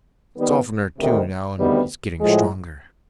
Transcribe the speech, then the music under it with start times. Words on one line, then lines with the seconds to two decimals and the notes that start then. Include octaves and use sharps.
It's oftener, too, now, and he's getting stronger.
0.37 D#3 G3 B3
0.98 D2 C3 D#3
1.59 D2 C3 D#3 G3 B3
2.21 A2 F3 G#3